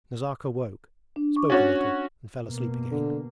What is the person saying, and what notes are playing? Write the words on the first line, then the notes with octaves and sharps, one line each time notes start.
Nazarka awoke, spoke a little, and fell asleep again.
D4
C#6 D6
C#4 F#4 C#5 A6
B2 A#3
D3